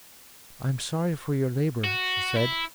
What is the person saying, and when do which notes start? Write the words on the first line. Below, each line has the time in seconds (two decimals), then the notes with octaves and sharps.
"I am sorry for your labor," she said.
1.84 F#4
2.37 E4